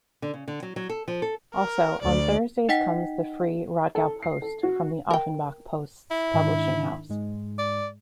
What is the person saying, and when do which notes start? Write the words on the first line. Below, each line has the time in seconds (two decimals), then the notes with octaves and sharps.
Also, on Thursdays comes the free "Rodgau-Post" from the "Offenbach-Post's" publishing house.
0.22 D3
0.34 C#3
0.48 D3
0.63 F#3
0.76 F#3
0.89 A4
1.08 F3
1.22 A4
1.54 A#4
2.02 D2 D5
2.69 D#4 D#5 F#5 G5 B6
3.95 A4
4.23 C7
4.42 A4
4.63 F#4
5.11 A#4 G5
6.11 E4
6.33 G#2 D#3 D4
7.09 G#2 G#3
7.59 D5